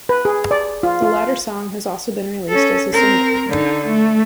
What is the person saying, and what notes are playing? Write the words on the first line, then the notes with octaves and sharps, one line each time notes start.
The latter song has also been released as a single.
B4
G#4
D5
F4
F4
C#4 A4
C4 A#4
D3 D#4
A3